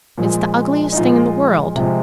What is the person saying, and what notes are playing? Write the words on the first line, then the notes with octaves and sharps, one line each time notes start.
It's the ugliest thing in the world.
A#2 F3 G#3
D#4
A#2 F3 G#3 F4
C3 F3 G#3